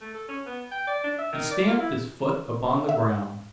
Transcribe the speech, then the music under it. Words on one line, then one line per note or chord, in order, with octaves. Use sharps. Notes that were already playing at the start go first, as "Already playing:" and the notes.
He stamped his foot upon the ground.
A3
A4
C#4
B3
G5
D5
D4
E5
D#3
D5
F4
E4
E5